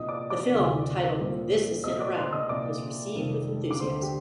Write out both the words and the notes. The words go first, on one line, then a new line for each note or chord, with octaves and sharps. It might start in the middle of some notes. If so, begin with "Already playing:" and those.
The film, titled "This is Cinerama," was received with enthusiasm.
Already playing: C2 A#2 F3 D#5 D#6
D5 D6
D5 D6
D2 C3 F3
A#2 G3 C4
C2 A#2 A3 C4 D#5 D#6
D5 D6
C5 C6
D#5 D#6
C2 A#2 F3 D5 D6
F2 C3 D#3 G3
D6
D2 D3 A3 C5 C6
G4 G5